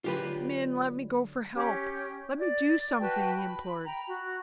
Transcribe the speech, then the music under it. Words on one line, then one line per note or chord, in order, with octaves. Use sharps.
"Min, let me go for help--let me do something," he implored.
D3 F#3 D4 F4 G4 B4
C#4 G4
D5
F#4 B4 G5 A5
B5
G5 A#5 B5
F#4